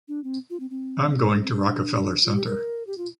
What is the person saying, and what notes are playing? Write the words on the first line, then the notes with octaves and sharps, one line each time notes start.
I'm going to Rockefeller Center.
D4
C4
F4
C4
C4
D4
C4
D4
F4
G4
A#4
G4
F4